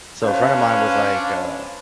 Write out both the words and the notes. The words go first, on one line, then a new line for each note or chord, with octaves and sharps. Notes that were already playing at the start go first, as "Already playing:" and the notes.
so, a friend of mine was, like, uh
C#4 D4 B4 C5 F5